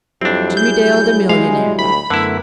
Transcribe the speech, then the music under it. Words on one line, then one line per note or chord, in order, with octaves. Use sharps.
Jimmie Dale the millionaire!
F2 F#3 G3 C4 D4 E4
G#4 G6
G#3 F5
D2 B5
F#2 D3 A3 B3 E4 A#4